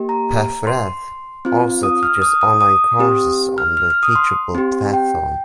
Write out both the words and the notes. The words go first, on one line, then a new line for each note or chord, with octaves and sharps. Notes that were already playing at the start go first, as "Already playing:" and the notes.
Paffrath also teaches online courses on the Teachable platform.
Already playing: A#3 G4
A#5
C6
C4 F4
D#6
F6
D#6
D#6
D#6
C4 G4
F6
F6
F6
D#6
C6
C4 G4
G5